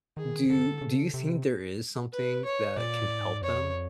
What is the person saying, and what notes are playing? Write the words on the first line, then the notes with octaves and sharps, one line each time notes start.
Do do you think there is something that can help them?
D#3 G#4
D3 A4
C#3
C3
B4
C#5
A#2 D5
A2
G#2
F2 C#5